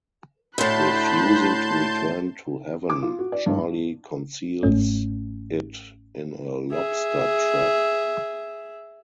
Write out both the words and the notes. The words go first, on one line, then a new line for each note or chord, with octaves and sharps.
Refusing to return to Heaven, Charlie conceals it in a lobster trap.
D2 A2 A5 B5 C6 F#6 G6
D6
F4
F#4
D5
G2
G1 G#2 A3 C#4
G#4 E5